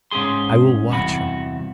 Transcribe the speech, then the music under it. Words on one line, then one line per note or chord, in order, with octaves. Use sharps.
I will watch her.
G#2 C#4 G4 G#4 C6
E2 G2 C3 E3 F#4 B5